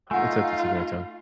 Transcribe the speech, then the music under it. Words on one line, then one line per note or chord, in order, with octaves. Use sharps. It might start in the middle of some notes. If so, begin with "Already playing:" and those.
it's at the tip of my tongue.
A3 D#4 F4 F#5 G#5